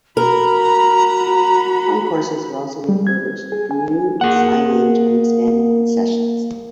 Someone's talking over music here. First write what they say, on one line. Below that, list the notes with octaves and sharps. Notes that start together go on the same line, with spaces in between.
The concourses were also refurbished, with new signage and expanded concessions.
F#4 A#4 A#5 B5
G3
G#6
G#4
G#5
A#3 G#4 F#5